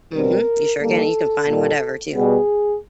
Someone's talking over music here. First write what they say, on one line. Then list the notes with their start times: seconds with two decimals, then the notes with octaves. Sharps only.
Mhm, you sure can, you can find whatever too.
0.13 B2 G3 C4 A#4
0.81 D#3 G3 A#3 A4
1.47 A#2 G3 A#3
2.14 B2 G3 B3 G#4